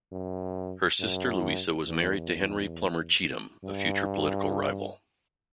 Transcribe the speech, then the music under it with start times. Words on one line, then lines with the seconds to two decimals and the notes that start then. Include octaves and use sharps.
Her sister Louisa was married to Henry Plummer Cheatham, a future political rival.
0.12 F#2
1.00 F#2
1.88 E2
3.64 G2